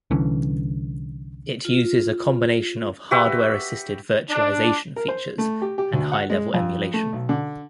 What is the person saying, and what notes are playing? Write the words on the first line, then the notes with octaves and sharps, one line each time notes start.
It uses a combination of hardware-assisted virtualization features and high-level emulation.
C2 D3 E3 C#4
F4
F#4 G4 B4 E5
D4
A#4
C5
A3
G4
G4
D2
F#5
G#3
F2
A3
B1
D3